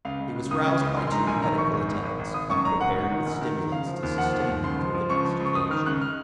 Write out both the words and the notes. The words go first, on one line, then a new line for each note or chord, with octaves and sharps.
He was roused by two medical attendants, come prepared with stimulants to sustain him through the next occasion.
C#2 F5
C#2
C#2
C#2 D#6
C#3
C#2
A#1 C6
C6
G#2 A#5
A#1 G#5
D#3 A#5
A#1 C#6
G#2
G#1
G#1
G#1
G#1 D#6
F#2 C#6
G#1 A#5
A#1 F#5
G#2
D#3
A#1
D#3
D#3
C#3 F5
F3
D#2
F3 F#5
D#2
D#2
C#2 C6
F3
F3
C#2 C#6
F3
C#2
C#6
C#2 D#6
D#3 F6
C#2 F#6
F6